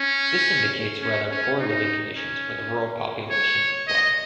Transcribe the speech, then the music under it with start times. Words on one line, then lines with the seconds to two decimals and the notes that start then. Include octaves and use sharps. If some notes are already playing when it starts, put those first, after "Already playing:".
This indicates rather poor living conditions for the rural population of Plaue.
Already playing: C#4
1.02 C#4
1.31 C#4
1.60 D#4
2.16 C#4
3.30 C#5
3.88 D#5